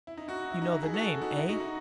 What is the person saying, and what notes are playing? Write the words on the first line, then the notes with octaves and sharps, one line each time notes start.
"You know the name, eh?"
E4
D#4
D#4 F#4
E4
D#4
E4
E4 G#4
F#4 A4
D#4 F#4
E4
D#4 F#4
D#4